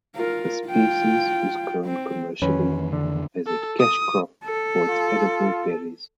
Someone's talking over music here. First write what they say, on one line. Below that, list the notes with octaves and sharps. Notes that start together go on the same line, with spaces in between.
The species is grown commercially as a cash crop for its edible berries.
F4 A#4
F4 G5
C4
F2 D#3 E3 C#4 B4
D3
A4
D#6
A4
F4